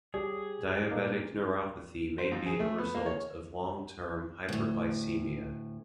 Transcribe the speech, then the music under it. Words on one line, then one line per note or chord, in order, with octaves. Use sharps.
Diabetic neuropathy may be a result of long-term hyperglycemia.
G3 G4 G#4 C#5
A#2 A#3 D#4 A5
C5
F2
G#4
A3
B3
A#3
C#5
D2 A2